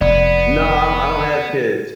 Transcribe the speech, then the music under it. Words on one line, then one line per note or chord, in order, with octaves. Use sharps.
No, I don't I don't have kids.
F1 B3 D5